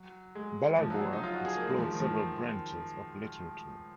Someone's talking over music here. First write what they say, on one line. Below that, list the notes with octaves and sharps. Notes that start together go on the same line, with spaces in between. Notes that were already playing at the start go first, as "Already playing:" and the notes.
Balaguer explored several branches of literature.
Already playing: F#3
G#3
F3
F#3
F#3
D#4
F4
F#4
G#4
A#3
G#3
F3
D#3
F3
D#3